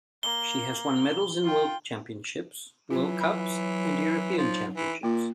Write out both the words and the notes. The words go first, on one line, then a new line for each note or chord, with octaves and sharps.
She has won medals in World Championships, World Cups and European Championships.
A#3 G7
F4 G5
E3 F#3 F4
E5 B5
F3 D#4
E3
A#2 A#3 F4